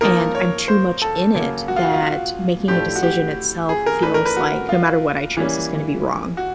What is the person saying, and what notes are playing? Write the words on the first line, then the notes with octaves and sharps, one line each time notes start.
and I'm too much in it that making a decision itself feels like no matter what I choose is gonna be wrong,
F3 A#3 D#4 A#4
C#5
C5
A4
C#3 F#3 A#3
F#4
F4
F#4
F4
F#4
A2 F3 A3 D4 G4
F#4
G4
G#4
A#4
E3 A3 D4 B4
A#4
B4
F#4
F4
E3 G3 A#3 C#4
F#4